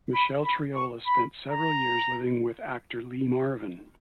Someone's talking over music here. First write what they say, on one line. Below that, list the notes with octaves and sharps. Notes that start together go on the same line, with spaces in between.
Michelle Triola spent several years living with actor Lee Marvin.
B5
B5
C#6
B5
A#5